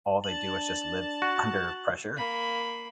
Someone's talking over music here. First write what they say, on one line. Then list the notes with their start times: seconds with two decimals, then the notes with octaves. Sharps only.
all they do is just live under pressure?
0.24 D4 A5 F#7
1.22 F#4
2.17 A#3 B5